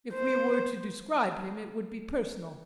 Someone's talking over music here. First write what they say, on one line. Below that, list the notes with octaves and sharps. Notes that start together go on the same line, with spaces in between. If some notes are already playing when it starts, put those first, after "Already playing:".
If we were to describe him it would be personal.
C5